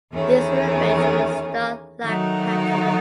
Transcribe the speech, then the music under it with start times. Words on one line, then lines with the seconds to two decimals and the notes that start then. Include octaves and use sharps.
These were arranged in a star-like pattern.
0.12 E2 D#3 A3 C#4
2.02 D#3 F#3 A3 D#4 F#4